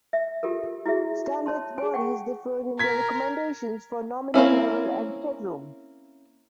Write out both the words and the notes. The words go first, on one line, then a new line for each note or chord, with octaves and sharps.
Standards bodies differ in their recommendations for nominal level and headroom.
E5
F4 G4 A4 A#4
E4 F#4 G#4 E5
C#5 A5 C6
G#4 G#5
F#5 G5 C#6
A#4 G#6 B6
A#3 C4 C#4 E4